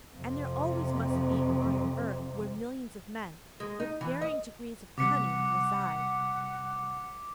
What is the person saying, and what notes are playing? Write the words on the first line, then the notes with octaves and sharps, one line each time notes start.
And there always must be on an earth where millions of men, with varying degrees of cunning, reside.'
F2 C3
G#3
D#4
E3
D#5
C3 G3 F#5 D6 B6 C#7